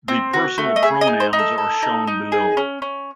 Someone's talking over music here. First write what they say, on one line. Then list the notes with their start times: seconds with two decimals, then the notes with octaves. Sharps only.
The personal pronouns are shown below.
0.08 C4
0.33 F#4
0.58 A3
0.76 D#5
0.83 G#4 E5
1.01 D#5
1.08 D#4
1.20 C5
1.33 D#4
1.39 A4
1.58 A4
1.83 D#4
2.07 D#4
2.32 G#4
2.57 C#4
2.82 C#4